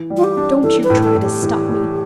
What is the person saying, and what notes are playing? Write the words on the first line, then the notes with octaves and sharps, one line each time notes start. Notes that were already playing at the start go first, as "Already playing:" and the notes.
Don't you try to stop me!
Already playing: E3
G3
F4
G4
D4
E3 A4
B4
A2
A4
A2
G4
E3
E3